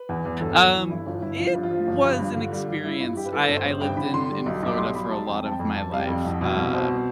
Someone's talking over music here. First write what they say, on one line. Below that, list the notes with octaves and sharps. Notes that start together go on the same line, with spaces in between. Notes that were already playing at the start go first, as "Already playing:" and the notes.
Um, it was an experience, I I lived in in Florida for a lot of my life, uh,
Already playing: B4
E2
E2
G1 A4
G1
E3
G2 E4
G1 F4
G1 E4
F3 F4
G2
F4
F3
G1
G2
G2
D3
G3
G3
G3 E4
G2 F4
G2 G4
B4
G2 A4
G1
C5
G1
G2 G5
D3 B5
D3 C6
G3
B1
B1 D6
G3 C6
B1 B5
G3 A5
F2 G5
C4 A5
G5
F2
F2 A5
G3 F5
G5
F2
C2
B2
C2
B2 C5
C4